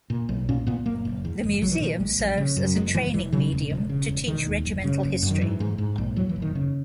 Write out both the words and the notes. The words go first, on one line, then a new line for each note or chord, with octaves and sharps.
The museum serves as a training medium to teach Regimental history.
A#2
B1
A#2 C#4
A#2 B3
F#1 A#3
F#1
E2
F#1
A#1 F#3
E3
A#2 D#3
E3
A#1 G#3
A#1
C#3
F#2
F#1 G#3
F#1 E3
E1 E3
C#3 F#3
E1
E1
C#3
E1
E1 D#3
D#2
F#1
C#3
F#1
F#2
D#3
G#2 E3
G#2
G#2
A#1
E2 F#3
E3
F#1
D#3
C#3